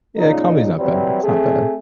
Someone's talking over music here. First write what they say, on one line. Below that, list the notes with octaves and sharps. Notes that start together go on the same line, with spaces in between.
Yeah, comedy's not bad, it's not bad.
A#2 C#3 D#4
E3 F#3 G3 C4
A3 C4 G#4